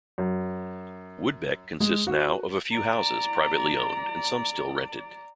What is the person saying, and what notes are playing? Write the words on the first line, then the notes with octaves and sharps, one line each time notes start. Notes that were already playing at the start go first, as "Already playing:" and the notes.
Woodbeck consists now of a few houses privately owned and some still rented.
F#2
G#3
F#4
D5 A#5